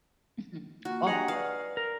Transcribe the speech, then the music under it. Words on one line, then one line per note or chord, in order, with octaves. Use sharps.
Mhm Oh.
A#3 F4 F#4
D4 G4 G#4 D#5 F#5 G5 A#5
B4 D5 F5
A#4